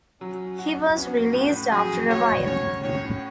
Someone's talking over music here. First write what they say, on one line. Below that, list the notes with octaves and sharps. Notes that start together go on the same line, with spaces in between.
He was released after a while.
F#3 C#4
F#4
B3 C#4
A2 B3
F#3 G#4
F#4 C#5
C#4 C#5
A2 C#5